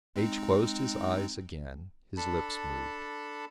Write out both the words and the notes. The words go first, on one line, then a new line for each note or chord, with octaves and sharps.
H-- closed his eyes again; his lips moved.
G#3 C4 D#4
D4 A4 A5 B5